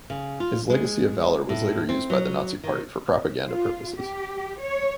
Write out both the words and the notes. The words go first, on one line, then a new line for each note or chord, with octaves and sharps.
His legacy of valor was later used by the Nazi Party for propaganda purposes.
C#3
F4
G#3
A2
C4
F#3
D#3
F4
G4
C#5